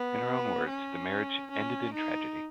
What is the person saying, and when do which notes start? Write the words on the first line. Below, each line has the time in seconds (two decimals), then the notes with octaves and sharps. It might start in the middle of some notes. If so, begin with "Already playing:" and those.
In her own words, the marriage 'ended in tragedy'.
Already playing: B3
0.69 C#4
1.51 C#4
1.94 D#4